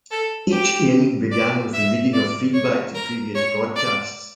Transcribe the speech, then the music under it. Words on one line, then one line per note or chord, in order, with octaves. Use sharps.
Each airing began with the reading of feedback to previous broadcasts.
A4
G4
D5
E5
D5
C#5
A#4
C#5
D5